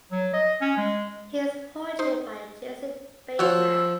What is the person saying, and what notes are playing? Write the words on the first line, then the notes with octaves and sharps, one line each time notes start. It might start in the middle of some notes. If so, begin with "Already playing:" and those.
He is portrayed by Jason Bateman.
F#3
D#5
C#4
G#3
D#4 C5
F3 F#4 C#5 F#5 E6